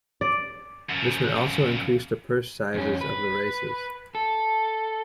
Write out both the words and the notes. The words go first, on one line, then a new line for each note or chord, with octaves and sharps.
This would also increase the purse sizes of the races.
D5
F#2 F3
F2 C#4
B4
A4